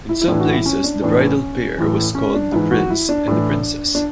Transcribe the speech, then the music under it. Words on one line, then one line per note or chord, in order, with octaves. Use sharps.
In some places the bridal pair was called the prince and the princess.
E4
E4
A2 E3 D4
F#4
E4
C#4
D4
A2 E3 D4
B3
C#4
A2 E3
C#4
D4
G#2 E3 E4
F#4
E4
D4
A2 E3
D4